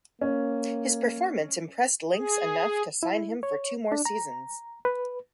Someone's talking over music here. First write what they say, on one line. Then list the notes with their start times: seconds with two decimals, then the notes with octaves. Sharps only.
His performance impressed Lynx enough to sign him for two more seasons.
0.21 A#3 C#4
2.13 G#4
3.03 E4
3.43 C#5
3.92 D4
4.05 A#5
4.85 B4